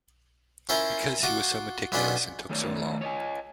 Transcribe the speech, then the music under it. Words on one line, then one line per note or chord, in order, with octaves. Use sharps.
Because he was so meticulous and took so long.
C#4 E4 F4 A#4 C5 F5
F4 F#4 D6
B1 B3 C#4 D4 F4 B5
D#3 A3 A4 B4 C#5 D5
C#5 D#5 G#5